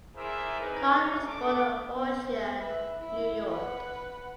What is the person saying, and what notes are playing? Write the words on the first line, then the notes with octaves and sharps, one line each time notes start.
Card was born in Ossian, New York.
E4 G#4 A#4 C5 D5 E5
C4 D#4 G#4 A#4 B4
D#4 C#5
A3 D4 C#6 D6
B3 C5
B4 E5
E4
B4 F#5